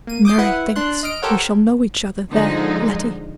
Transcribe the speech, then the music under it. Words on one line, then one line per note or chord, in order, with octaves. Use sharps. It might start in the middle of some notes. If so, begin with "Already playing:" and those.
"Mary thinks we shall know each other there, Letty."
A#3 D#7
D6 D#6 G6 C7
E4 B4 F#5
D4 C6 F#6
D#5 F6 D7
G4 A4 A#4 C5 C#5 F#5
D3 F3 G#3 D#4